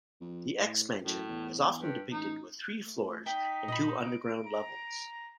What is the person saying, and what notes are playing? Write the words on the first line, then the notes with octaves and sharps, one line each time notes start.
The X-Mansion is often depicted with three floors and two underground levels.
F2
A2
F#2 A2
E2
G2
A1 D#4
A3
D#4 G5 B6
A#2 D#5 B5
D7
A#5